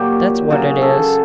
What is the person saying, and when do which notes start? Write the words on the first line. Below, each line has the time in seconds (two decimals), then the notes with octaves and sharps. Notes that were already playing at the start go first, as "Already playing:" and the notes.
That's what it is.'
Already playing: A#2 F#3 G4
0.50 C#3 F#3 G#4
0.82 A4